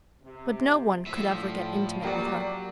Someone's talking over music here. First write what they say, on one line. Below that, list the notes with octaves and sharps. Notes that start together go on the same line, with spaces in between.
But no one could ever get intimate with her.
C3
A2 D3 F3 E5
F#3 A#3 G4 D5